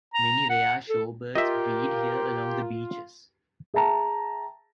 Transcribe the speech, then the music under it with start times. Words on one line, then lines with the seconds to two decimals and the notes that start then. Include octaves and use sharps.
Many rare shore birds breed here along the beaches.
0.14 A#5
0.49 F#5
0.89 A4
1.35 F4 G4 A#4 D#5 E5
3.74 G#4 E5 G5 A5 A#5